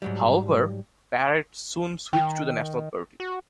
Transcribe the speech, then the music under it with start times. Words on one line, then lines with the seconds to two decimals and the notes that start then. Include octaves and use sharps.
However, Perrett soon switched to the National Party.
0.02 G#2 F#3 G3
2.13 D#3 G5
3.20 F#4